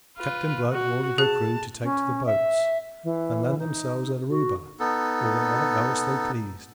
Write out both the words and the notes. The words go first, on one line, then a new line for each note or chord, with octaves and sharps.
Captain Blood ordered her crew to take to the boats, and land themselves at Oruba or wherever else they pleased.
F4 B4
F#4
G#4 A5 F#6
C#4
E5
E3
D#4
F#4
B3 D#4 A4